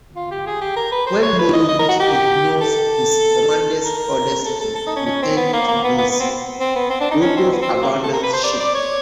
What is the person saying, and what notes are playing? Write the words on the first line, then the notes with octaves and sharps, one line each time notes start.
When Morovich ignores his commander's orders to return to base, Krokov abandons ship.
F4
G4
G#4
G4
A#4
B4
C5
C#5
B4
D#5
D#5
A#4
F#4
G4
A4
A#4
A4
A4
A4
D#4
C#4
C#4
C4
B3
A#3
A#3
B3
B3
B3
C4
C4
B3
C4
D4
D#4
C#4
C4
B3
C4
C4
A#3
A4
A#4
B4
C5
D5
D5
C#5